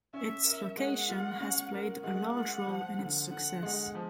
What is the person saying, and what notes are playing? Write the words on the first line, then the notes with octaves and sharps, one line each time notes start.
Its location has played a large role in its success.
C#4 E5
A#4
G#3 F#5
F4
C#4
A#4
G#3 F#5
F4
F3
D3
D3 F#5
G#3
F3